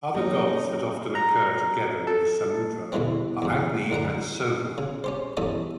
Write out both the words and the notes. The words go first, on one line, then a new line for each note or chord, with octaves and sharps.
Other gods that often occur together with the Samudra are Agni and Soma.
F#3 A#3 B3 C#4 D#4 G4 C#5
A#5
A4
E2 B2 D3 E3 G3 C4
E2 G2
F#2 D3 F#5 A#5
C#3
C#4 G4 C5
E2 G2 C#4 A4 D#6